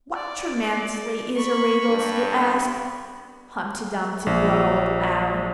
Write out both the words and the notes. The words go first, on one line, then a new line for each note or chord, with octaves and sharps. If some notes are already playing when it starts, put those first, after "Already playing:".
'What tremendously easy riddles you ask!' Humpty Dumpty growled out.
D5
B5 C#6
G2
A#1